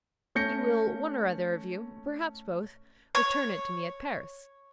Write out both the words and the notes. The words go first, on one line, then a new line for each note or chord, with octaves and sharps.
You will, one or other of you, perhaps both, return it to me at Paris.
A3 C#4 G6 A#6 C#7
C#5